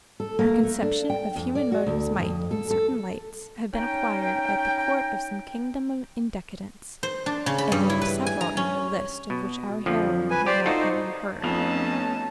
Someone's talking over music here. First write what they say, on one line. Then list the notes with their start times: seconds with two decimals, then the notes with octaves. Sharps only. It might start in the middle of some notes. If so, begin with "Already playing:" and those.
Her conception of human motives might, in certain lights, have been acquired at the court of some kingdom in decadence, and there were several in her list of which our heroine had not even heard.
0.20 A4
0.39 A#3
0.63 A3
0.82 D4
1.10 G5
1.36 F2
1.55 D5
1.72 F#4
1.87 D2
2.20 F2
2.51 A4
2.71 A4
3.74 C#4 D#4 G5
7.03 C5
7.26 D4
7.46 C#3
7.58 B5
7.72 G2
7.90 E4
8.02 B4
8.26 G#5
8.41 A#5
8.57 C#4
9.30 B2
9.86 F2 D3 F3
10.31 B4 G#5
10.46 G4 C5 D5
10.66 D#4 F4 F#4 A4 C5
11.43 F2 A3 B3 C#4 D#4 F5 A5